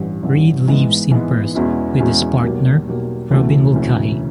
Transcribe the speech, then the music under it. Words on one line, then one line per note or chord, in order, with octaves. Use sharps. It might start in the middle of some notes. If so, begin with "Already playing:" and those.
Reid lives in Perth with his partner, Robyn Mulcahy.
Already playing: A1 G2 E3
A1 G2 E3
G#2 E3 G#3 B3
G#2 E3 G#3 B3
E2 B2 G#3 C#4 E4
E2 B2 G#3 C#4 E4
B1 B2 G3 A#3
B1 B2 G3 A#3
E1 D2 C#3 E3 A3
E1 D2 C#3 E3 A3